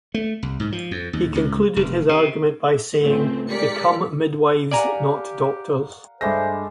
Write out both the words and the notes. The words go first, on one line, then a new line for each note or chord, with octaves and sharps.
He concluded his argument by saying Become Midwives, not doctors!
A3
C2
G#2
F3
F2
D#2
C#2
F1
C3
C#2 A2 A3 C4
G#3 G4 A#4 D5 B6 C#7
G4 A#4 D5 F5 F#5 G#5 A#5
G2 G#3 A3 D4 C5 B5 A#6